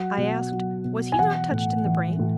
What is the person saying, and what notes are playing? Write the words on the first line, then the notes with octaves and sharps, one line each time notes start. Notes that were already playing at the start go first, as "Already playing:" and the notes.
I asked, was he not touched in the brain?
Already playing: F#3 F#5
B2
F#3
B2
G#5
E3 F#5
A2
E3
A2